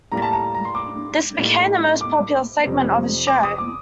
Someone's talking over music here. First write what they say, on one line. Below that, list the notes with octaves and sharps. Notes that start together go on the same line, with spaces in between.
This became the most popular segment of his show.
A2 G3 A#3 A#5
A5
A#5
A#5
C6
D6
A2 G3 A#3 D#4
D6
F2 C3 G3 C4
D6
D#6
D6